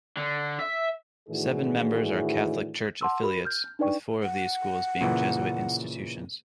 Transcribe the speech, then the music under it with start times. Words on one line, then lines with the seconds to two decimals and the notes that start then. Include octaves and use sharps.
Seven members are Catholic Church affiliates, with four of these schools being Jesuit institutions.
0.17 D3
0.60 E5
1.29 A2 D#3 E3 D4 F#4 G#4
3.01 F#5 A5 C6 D6 E6
3.23 F#4 A#4 B5
3.45 F6 G6
3.79 D4 D#4 B4 D5 G5 C#6
4.23 F#5
5.01 A#2 C#3 E3